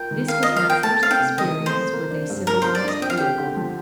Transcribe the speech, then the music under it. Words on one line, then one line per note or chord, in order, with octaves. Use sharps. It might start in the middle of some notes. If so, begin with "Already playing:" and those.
This was my first experience with a civilized vehicle.
Already playing: F4 A#4 G5
D#3
A#3 F5
F4 D#5
F5
A#4 G5
A3 A5
C4 F5
G5
C3
D#3 D#5
A3
C5
C4
A#3
D4
G2
F3 A#4
A#3 C5
D5
D4 D#5
C4 G5
F5
G4 G5
D3
F3